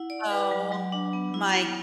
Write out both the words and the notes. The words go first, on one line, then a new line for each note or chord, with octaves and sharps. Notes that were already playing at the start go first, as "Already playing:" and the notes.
Oh, my
Already playing: E4 F#5
D5
B4
F#3
F#3
D4
B3
E4
E4